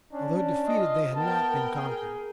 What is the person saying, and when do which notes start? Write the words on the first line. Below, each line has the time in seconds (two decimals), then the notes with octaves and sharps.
Although defeated they had not been conquered.
0.13 C#4 D4
0.66 F4 D#5
1.16 B3 A#4 G5 A5
1.75 G#4